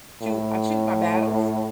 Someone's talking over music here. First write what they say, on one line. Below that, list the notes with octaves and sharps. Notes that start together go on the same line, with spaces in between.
choo I choose my battles.
A2